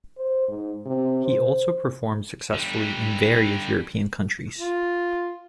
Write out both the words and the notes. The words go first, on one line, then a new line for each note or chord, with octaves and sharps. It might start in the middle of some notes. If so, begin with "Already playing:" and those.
He also performed successfully in various European countries.
C5
G#2
C3
C5
D3 G3
F4